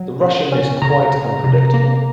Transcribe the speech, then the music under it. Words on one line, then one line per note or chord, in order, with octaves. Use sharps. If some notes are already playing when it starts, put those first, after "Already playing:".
The Russian is quite unpredictable.
Already playing: F#3
C#3
C#4
C#3 A#5
C#3
C3
A#3